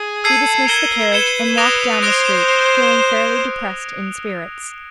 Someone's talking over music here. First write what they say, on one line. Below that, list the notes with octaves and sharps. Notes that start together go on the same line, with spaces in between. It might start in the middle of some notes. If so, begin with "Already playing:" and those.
He dismissed the carriage, and walked down the street, feeling fairly depressed in spirits.
Already playing: G#4
A4 E6 G#6 C7 D#7
A#4 G#6 C#7 E7 G7
B4 G#6 C#7 E7 G7
D#6 F#6 A#6 D7 F7
C5 D#6 F#6 A#6 D7 F7